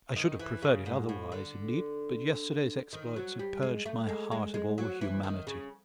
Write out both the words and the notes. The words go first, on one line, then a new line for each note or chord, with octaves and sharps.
I should have preferred it otherwise, indeed; but yesterday's exploits had purged my heart of all humanity.
D#3
E3
C#3
G#2
A2
D3
D#3
F#3
G3
G#3
A3
G#3
G#3
G#3
F#3
E3
D#3
C#3